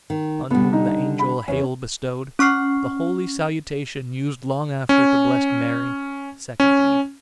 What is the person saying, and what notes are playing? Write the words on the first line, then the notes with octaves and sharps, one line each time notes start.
On whom the Angel HAILE Bestowd, the holy salutation us'd Long after to blest MARIE, second EVE.
D#3
D3 G3 B3
D#4
B5
E2 C#4
C#4 C#6 F6 C7
C#4
C#4